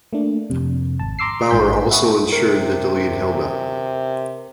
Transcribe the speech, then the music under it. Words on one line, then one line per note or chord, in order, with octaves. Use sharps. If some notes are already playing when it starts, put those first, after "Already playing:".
Bauer also ensured that the lead held up.
A3 A#3 D4
F2 C3
G#1 A5
A#5 C6 D6 E6 C7
A1 G#2 G6 B6
E5 F#5 B5 C#6 D#6
C3 A#4